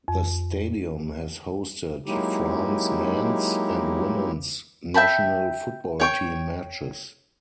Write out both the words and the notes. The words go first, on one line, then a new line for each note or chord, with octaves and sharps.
The stadium has hosted France men's and women's national football team matches.
F2
F#3 G#3 A#3 D#4 E4 G4
E5 G5 A5 B5
C#5 G5 C#6